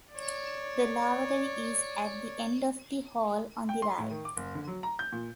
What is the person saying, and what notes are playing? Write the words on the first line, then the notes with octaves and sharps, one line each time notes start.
The lavatory is at the end of the hall on the right.
C#5 D5
G5
C6
A2
D#3
D6
F#1
D3
F#3
A#5
G6
A#2